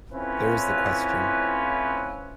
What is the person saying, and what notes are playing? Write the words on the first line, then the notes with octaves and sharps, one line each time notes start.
There is the question.
A2 C4 C#4 E4 F4 B4